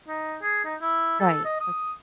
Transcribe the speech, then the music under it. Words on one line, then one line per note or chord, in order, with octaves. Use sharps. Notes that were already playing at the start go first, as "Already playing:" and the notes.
Right, like
D#4
G#4
D#4
E4
A4
D#5
D#6